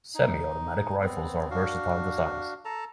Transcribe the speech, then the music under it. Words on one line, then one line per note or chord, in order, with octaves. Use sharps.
Semi-automatic rifles are versatile designs.
D#4
B3 C4
D4 F#4 F5
A4 A5 A#5